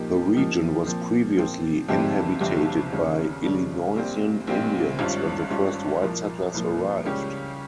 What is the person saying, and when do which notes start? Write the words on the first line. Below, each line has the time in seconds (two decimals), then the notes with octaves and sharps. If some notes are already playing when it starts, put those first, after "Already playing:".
The region was previously inhabited by Illinoisan Indians when the first white settlers arrived.
Already playing: A#2 F3 A#3 D#4 G4
0.34 A#2 F3 A#3 D#4 G4
0.85 A#2 F3 C4
1.37 A#2 F3 C4
1.89 G1 F2 C3 G3 C4
2.40 G1 F2 C3 G3 C4
2.92 D#2 C#3 G3 C#4
3.44 D#2 C#3 G3 C#4
3.96 A#1 A#2 G3 C4
4.47 A#1 A#2 G3 C4
4.99 G#1 G2 G3 C#4 F4
5.50 G#1 G2 G3 C#4 F4
6.02 C2 A#2 F3 A#3
6.54 C2 A#2 F3 A#3
7.05 C#2 C#3 G3 C#4 G4